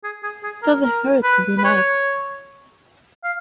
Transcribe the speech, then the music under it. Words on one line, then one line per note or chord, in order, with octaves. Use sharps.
It doesn't hurt to be nice.
G#4
G#4
G#4
A#4
A#4
B4
B4
C#5
F5